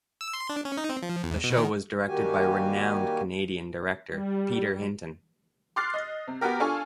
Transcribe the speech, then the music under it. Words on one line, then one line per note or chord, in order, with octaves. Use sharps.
The show was directed by renowned Canadian director Peter Hinton.
E6
C6
D4
C#4
D#4
C4
F3
E2
B2
D#3
D#3 G3 A#3 F#4 G4 G#5
G3
C6 D6 F6 F#6 A6 C7
D#5
C3
B3 F#4 G4 A#4
D4 F4 A4 G#5 C#6